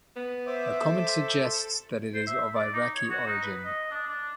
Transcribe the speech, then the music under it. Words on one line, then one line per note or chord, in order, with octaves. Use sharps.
A comment suggests that it is of Iraqi origin.
B3
C5 E5 D6
A4
C5
E5
D5
D#4
C#5
F#4
D#4
B4
D#5
D4
D4